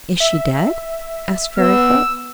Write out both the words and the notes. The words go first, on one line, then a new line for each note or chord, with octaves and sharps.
"Is she dead?" asked Fairyfoot.
E5
B3 E6